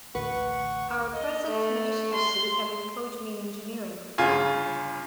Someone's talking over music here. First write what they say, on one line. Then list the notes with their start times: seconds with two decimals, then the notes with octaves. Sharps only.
Our present magistracy have employed me in engineering for them.
0.15 A1 D2 B4 F#5 C#6
1.14 D#5
1.47 A3
2.14 C6
4.18 G1 C#3 F4 G#5